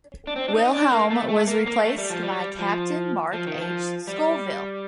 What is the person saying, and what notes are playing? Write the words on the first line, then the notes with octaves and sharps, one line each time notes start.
Wilhelm was replaced by Captain Mark H. Scovill.
D4
C4
D4
D#4
D4
A#3
A3
A3
A#3
A#3
A3
G3
F3
G3
F3
F3
D#3
F3
G3